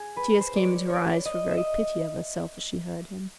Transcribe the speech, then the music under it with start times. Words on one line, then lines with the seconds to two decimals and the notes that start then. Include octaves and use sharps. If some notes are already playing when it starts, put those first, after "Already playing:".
Tears came into her eyes for very pity of herself as she heard him.
Already playing: G#4
0.17 B4
0.40 C5
0.56 D5
0.63 C#5
0.89 C#5 D5
1.26 D#5
1.50 E5
1.57 D#5